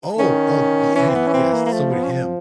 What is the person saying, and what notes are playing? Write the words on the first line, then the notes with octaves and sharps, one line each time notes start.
Oh, oh, the end, yes. So with him,
D#3 C#4
E3 C#4
C4
B3
C#4
C4
A#3
A#3
F3 A3
B3
C#4
C4